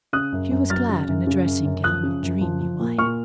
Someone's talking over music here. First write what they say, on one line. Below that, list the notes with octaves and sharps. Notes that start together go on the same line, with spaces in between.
She was clad in a dressing-gown of dreamy white.
C#3 D#6 F#6
F#2
F#2
F#3 F6 A6
C#3
F#2
C#3
F#2
F#2
F3 D#6 F#6
C#3
F#2
F3
F3
A#2
A#2 C#6 F6